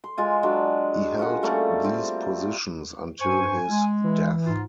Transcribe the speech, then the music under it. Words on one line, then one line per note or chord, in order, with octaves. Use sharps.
He held these positions until his death.
C6
G#3 F4 G#5
F#3 G#3 D4 B4
C#4 F4 A#4 F#5
G3 A3 A#3 C#4
C4
G2 C5 G#5 C#6
G#3
E3
G#2 F4